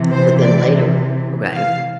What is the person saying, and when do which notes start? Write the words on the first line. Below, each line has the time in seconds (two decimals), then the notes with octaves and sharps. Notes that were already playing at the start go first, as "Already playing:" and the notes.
But then later, okay,
Already playing: C3 E3
0.12 C5
0.40 D5
1.54 F5